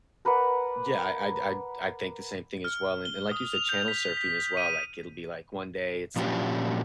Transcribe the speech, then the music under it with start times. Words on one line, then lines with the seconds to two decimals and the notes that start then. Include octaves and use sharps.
Yeah, I'd I'd I'd think the same thing as well, and like you said, channel surfing as well, like, it'll be, like, one day it's, like,
0.25 A#4 B4 D5 F#5
2.64 F6
3.05 G7
3.31 D#6
3.54 F7
3.69 G6
3.88 B6
4.17 B6
4.57 D#7
6.16 A#2 F3 F#3 C#4 D4 G4